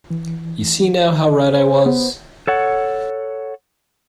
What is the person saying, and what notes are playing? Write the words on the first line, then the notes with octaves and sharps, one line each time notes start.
You see now how right I was.
E3
C5
B3
A4 C#5 F#5